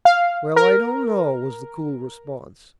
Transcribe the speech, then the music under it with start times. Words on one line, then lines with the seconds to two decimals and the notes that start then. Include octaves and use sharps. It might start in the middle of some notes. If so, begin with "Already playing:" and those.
"Well, I don't know," was the cool response.
0.05 F5
0.56 A#4